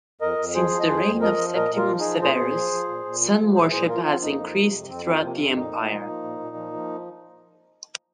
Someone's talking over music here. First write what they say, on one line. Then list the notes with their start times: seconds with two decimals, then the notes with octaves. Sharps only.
Since the reign of Septimius Severus, sun worship had increased throughout the Empire.
0.21 F2 A#4 D#5
0.39 F2
0.54 F3 G#4 C5
0.71 F3
0.79 D#5
0.88 F2 G#4 C5
1.05 F2
1.21 F3 A#4 D#5
1.38 F3
1.55 A#2 A#4 D#5
1.71 A#2
1.77 F4 A#4
1.88 F3
1.99 D#4 G#4
2.05 F3
2.21 A#2 G#4 C5
2.38 A#2
2.55 F3
2.72 F3
2.88 A#2
3.05 A#2
3.22 F3
3.39 F3
3.55 A#2 G#4 C5
3.72 A#2 G#4 C5
3.88 F3 F4 A#4
4.05 F3 C4 F4
4.22 F2 A#3 D#4
4.39 F3
4.55 C3
4.73 F2
4.89 F2 C4
5.05 F3 C4
5.23 C3 A#3
5.39 F2 C4
5.56 A#2 A#3 D#4
5.72 A#2
5.90 F3
6.07 F3
6.24 A#2
6.40 A#2
6.56 F3
6.73 F3